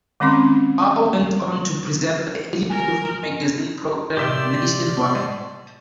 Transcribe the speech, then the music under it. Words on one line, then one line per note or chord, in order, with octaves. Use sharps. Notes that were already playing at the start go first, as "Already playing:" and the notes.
Bough went on to present the early evening magazine programme "Nationwide".
D#3 G#3 C4 C#4 C6
A#4 G#5
A2 C3 G4 D5 E5 G5 C6